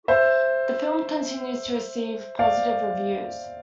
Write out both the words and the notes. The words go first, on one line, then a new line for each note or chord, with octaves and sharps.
The film continues to receive positive reviews.
C5 E5
D5 F5